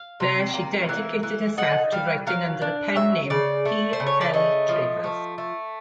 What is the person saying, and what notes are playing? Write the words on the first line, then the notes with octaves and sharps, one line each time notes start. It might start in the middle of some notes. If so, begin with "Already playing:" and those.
There she dedicated herself to writing under the pen name P. L. Travers.
Already playing: F5
C3
A#3
E3
E3
D#4 F#5
G3 F5
F#3 F5
D4
F#3 E5
C#3 D5
A3
C5
C#3
C#5
D5
A3 D#5
F3
A3
A3